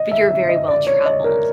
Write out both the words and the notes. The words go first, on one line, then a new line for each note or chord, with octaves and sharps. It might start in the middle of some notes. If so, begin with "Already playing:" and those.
you're very well traveled.
Already playing: D#5
E5
E5
D#5
D5
C#5
D#5
A#4